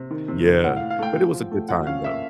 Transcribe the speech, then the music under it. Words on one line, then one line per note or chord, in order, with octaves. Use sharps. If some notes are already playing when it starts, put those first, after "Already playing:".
Yeah, but it was a good time, though.
Already playing: C3
D#3
C3
C3
A2 F#5
F5
A2
F5
A3 G5
F3
F3
A3
F3 F#5
C#4 F5
A#3 E5